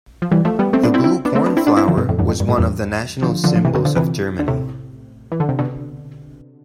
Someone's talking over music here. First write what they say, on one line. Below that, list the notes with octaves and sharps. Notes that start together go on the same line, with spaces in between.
The blue cornflower was one of the national symbols of Germany.
F3
E3 G3
F3 A3
G3 B3
A3 C4
B3 D4
C4 E4
C4 E4
B3 D4
A3 C4
B3 D4
C4 E4
B3 D4
C4 E4
D3 F3
G2 B2
F2 A2
E2 G2
F2
G2
A2
E2 G2
D3 F3
D3 F3
F3
C3 E3
B2 D3
D3 F3
C3 E3
D3
A2 C3
E3
D3
C3
B2 D3